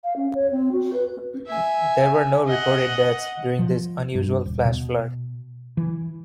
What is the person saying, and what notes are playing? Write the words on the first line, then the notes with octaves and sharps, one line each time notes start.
There were no reported deaths during this unusual flash flood.
F5
C#4
C#5
C4
F#4
B4
E5 G#5
D#5 F#5
F3
G2
D#1
B2
E3